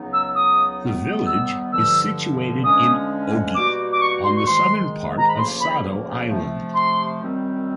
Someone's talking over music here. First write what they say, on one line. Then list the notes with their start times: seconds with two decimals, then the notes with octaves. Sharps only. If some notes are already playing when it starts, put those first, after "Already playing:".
The Village is situated in Ogi on the southern part of Sado Island.
Already playing: C#2 C#3 F#3 B3 D#4
0.13 E6
0.35 D#6
0.81 D#2 D#3 G3 B3
1.26 E6
1.72 G2 D3 F3 E6
2.63 D3 F3 G#3 C#4 D#6
3.54 B2 G3 A#3 D#4 F#4 D6
3.92 D6
4.00 C#6
4.23 C6
4.36 C#6
4.45 G#2 D#3 G#3 C6
5.17 A#5
5.28 B5
5.37 D2 C#3 F3 A#3 C6
5.60 B5
6.28 C3 F3 A3
6.74 C6
7.20 F#2 D#3 G3 C4